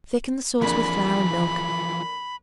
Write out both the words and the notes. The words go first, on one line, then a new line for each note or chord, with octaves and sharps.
Thicken the sauce with flour and milk.
F2 E3 F3 A#3 D4 G#4 B5